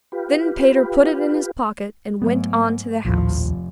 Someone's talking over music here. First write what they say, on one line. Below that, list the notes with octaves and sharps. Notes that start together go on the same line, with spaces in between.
Then Peter put it in his pocket and went on to the house.
F4 G4 B4
G#2 F#3 A3 B3
A#1 D#2 A2 F3
F1